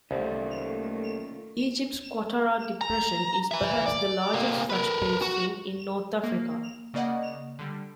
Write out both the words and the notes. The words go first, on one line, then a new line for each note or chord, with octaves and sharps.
Egypt's Qattara Depression is perhaps the largest such basin in North Africa.
C2 D#3 A3 A#3 C#4 F4 A4
A#5
B4 E5
D5
C3 A#3
A#4 B4
F#4
A#3
C#3 A#3 D5 D#5 F#5
D3 G3